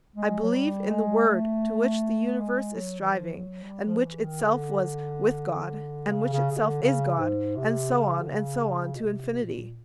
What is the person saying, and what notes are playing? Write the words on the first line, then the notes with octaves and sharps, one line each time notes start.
I believe in the Word to Which the universe is striving, and Which Itself was 'with God,' and Which Itself is God and so on, and so on, to infinity.
G#3
F#3
G3
G#3
A3
G#3
F#3
E3
F3
F#3
G3
F3
E3
D#3
D3
C#3
C#3
C#3
D3
C#3
G#2
C3
C#3
D3
C#3
B2
C3
A#2